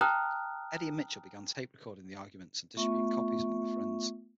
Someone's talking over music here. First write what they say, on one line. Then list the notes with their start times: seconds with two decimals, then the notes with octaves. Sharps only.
Eddie and Mitchell began tape recording the arguments, and distributing copies among their friends.
0.01 G5 A5 A#5 D#6 F6 F#6
2.77 A3 B3 F4 E5 C#6